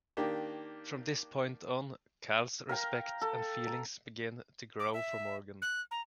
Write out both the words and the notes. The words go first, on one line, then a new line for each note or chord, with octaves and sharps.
From this point on Cal's respect and feelings begin to grow for Morgan.
D#3 A#3 D4 G4
A#4 F5 G5 A#5
A4
A#5
D6
E5
F#6
A#5